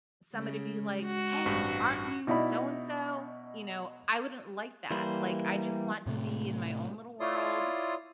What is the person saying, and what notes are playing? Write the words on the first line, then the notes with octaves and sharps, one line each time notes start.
somebody be like, "Hey, aren't you so-and-so?" you know, I wouldn't like that, like, I just want to be in my own little world,
C#3 G#3
F#4
A1 G2 C4
B2 D#4 E4 D5 B5
E3 G3 A#3 C5 B5
A2 C3 A3
E4 F4 C#5 D5 C6 D#6